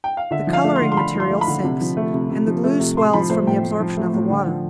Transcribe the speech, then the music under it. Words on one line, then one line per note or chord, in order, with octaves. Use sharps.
The coloring material sinks, and the glue swells from the absorption of the water.
G5
F5
D3 E5
F3
F5
A3
C6
D3
C6
D3 B5
F3
C6
A3
B5
D3
C3
F3
A3
C3
C3
F3
A3
C3
A2 C6
F3 B5
A3 C5
A2 G5
A2
F3
A3
A2
D3
F3